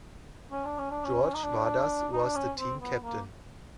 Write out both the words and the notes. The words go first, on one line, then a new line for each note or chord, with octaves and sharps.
George Vadas was the team captain.
C#4
D4
C#4
D4
C#4
D#4
D4
D#4
D4
C#4
C4
B3
A#3